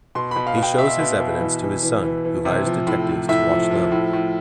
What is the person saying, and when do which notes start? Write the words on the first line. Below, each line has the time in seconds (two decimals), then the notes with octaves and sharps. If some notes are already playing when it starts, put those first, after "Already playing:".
He shows his evidence to his son, who hires detectives to watch Lil.
0.15 B2 C6
0.31 B2 B5
0.47 F5
0.58 B2
0.63 G5
0.78 B2 E5
0.99 B2
1.20 B2
1.40 E3
1.62 E3
1.82 E3
2.03 E3
2.25 E3
2.45 C3
2.66 F3
2.87 A2
3.09 A2
3.29 A2 E5
3.51 F3
3.71 F3
3.92 A2
4.13 A2